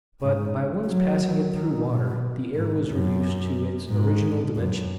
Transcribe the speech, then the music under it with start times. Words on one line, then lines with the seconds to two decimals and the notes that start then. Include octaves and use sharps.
But by once passing it through water the air was reduced to its original dimensions.
0.21 G#2
0.87 F#3
1.54 D#3
1.88 B2
2.55 G#2
2.88 F#2
3.89 G#2
4.55 F#2